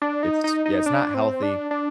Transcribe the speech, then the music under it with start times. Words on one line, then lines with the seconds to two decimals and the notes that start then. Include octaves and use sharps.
It's Yeah, it's not healthy.
0.02 D4
0.23 D#4
0.44 D#4
0.66 D#4
0.86 D4
1.14 C4
1.43 D4
1.71 D4